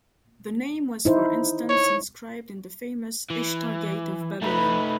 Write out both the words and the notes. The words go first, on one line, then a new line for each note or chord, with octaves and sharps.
The name was for instance inscribed in the famous Ishtar Gate of Babylon.
D#4 E4 C5
C#5
E3
A3 D#4 B4 B5